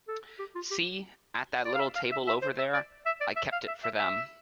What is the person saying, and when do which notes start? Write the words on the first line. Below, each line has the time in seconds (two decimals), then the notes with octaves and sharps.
See, at that little table over there? I kept it for them.
0.08 A4
0.39 G4
0.55 F4
0.71 G4
1.65 D5
1.75 F5
1.80 E5
1.96 F5
2.12 E5
2.27 E5
2.42 C5
2.58 E5
2.74 D5
3.06 E5
3.21 D5
3.37 E5
3.52 F5
3.68 E5
3.84 E5
3.99 E5